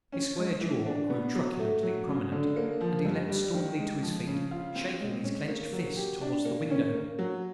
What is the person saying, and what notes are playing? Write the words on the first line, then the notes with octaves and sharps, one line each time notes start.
His square jaw grew truculently prominent, and he leapt stormily to his feet, shaking his clenched fists towards the window.
C#4
G#3
E3
D4
B3
F#3
A3
F#3
C#3
D3
A#3
F3
G2
G3
D#3
G#3
F3
C#3
F4
C4
G#3
C#4
A#3
F#3
G4
D4
A#3
C#4
A#3
F#3